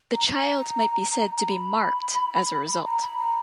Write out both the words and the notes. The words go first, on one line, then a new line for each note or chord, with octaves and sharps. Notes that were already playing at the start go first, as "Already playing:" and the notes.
The child might be said to be "marked" as a result.
A#5
A#5
B5
B5
A#5
B5
A#5